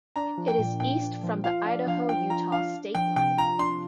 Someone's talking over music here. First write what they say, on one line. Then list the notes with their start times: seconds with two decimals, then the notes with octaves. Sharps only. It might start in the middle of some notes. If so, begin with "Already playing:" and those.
It is east from the Idaho-Utah state line.
0.16 D4 A#5
0.37 F3
0.48 G5
0.58 A#2
0.80 A#2 G5
1.02 D4
1.23 F3
1.44 F4 F5
1.66 D4 F5
1.87 F3 F5
2.09 F3 G5
2.30 F4 A#5
2.52 D4 F5
2.74 D4
2.95 F3 G5
3.16 C3 G5
3.37 F4 A#5
3.59 D4 C6